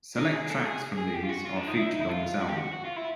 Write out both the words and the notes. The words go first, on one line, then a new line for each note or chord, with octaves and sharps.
Select tracks from these are featured on this album.
D#4
G#4
A4
G#4
G#4
G4
F4
F#4
F4
D4
D#4
E4
D#4
E4
F4
F#4
G4
F#4
F#4
F4
E4